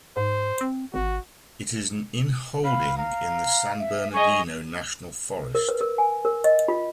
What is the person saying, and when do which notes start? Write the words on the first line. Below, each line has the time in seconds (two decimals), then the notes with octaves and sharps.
It is an inholding in the San Bernardino National Forest.
0.17 G#2 C5
0.61 C4
0.94 G#1 F#4
2.64 F5 B5
2.98 F5 A#5
3.79 E5
4.13 G#4 D#5 C#6
5.55 A#4
5.69 B4
5.81 A#4
5.98 G#5
6.25 A#4
6.44 D#5
6.68 F4